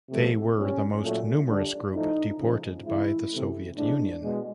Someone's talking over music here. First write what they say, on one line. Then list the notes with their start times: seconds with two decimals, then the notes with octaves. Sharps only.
They were the most numerous group deported by the Soviet Union.
0.10 C3 F3 A3
0.56 A#2 G3 C#4
1.02 A#2 F#3 A3
1.48 D3 G3 D4
1.93 A2 F3 A3 D#4
2.39 C#3 F3 G#3
2.85 C#3 E3 G#3 E4
3.31 C3 E3 A3
3.76 A2 F3 G#3 D4
4.22 B2 G#3